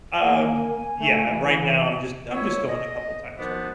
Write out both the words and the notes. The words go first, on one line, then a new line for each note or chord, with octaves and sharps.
um, yeah, right now, I'm just I'm just going a couple times a week.
A#3 F5
G#5
A3
E3
D#3 F3 A#3 E4 C#5
D#5
B2 D#3 F3 B3 D4 C5